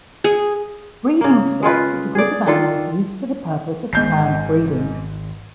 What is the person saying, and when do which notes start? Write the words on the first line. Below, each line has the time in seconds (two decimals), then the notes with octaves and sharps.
Breeding stock is a group of animals used for the purpose of planned breeding.
0.24 G#4
1.21 C#3 A#3
1.63 G#3 C#4 F4 B4
2.15 G#4 D5
2.47 D#3 D4 F4 A4
3.93 G#1 G#2 G6 C7